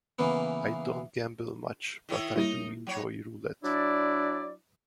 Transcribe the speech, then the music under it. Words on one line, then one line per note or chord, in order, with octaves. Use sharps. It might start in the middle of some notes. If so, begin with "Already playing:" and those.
I don't gamble much, but I do enjoy roulette.
C#3 E3 A#3 B3
D#3 E4 C#5
G3 A#3 D#4 E4 A#4
F#3 C#5
F#3 D4 E4 D5